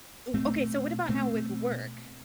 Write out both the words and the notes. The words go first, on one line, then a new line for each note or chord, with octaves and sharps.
ooh, okay, so what about now with work?
B2 A3 C4
B2 A3 C4